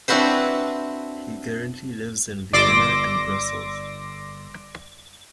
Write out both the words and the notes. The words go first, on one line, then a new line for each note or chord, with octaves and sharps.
He currently lives in Vienna and Brussels.
C4 D4 E4 F#4 B4 C5
G1 D5 C6 D6 E6 A#6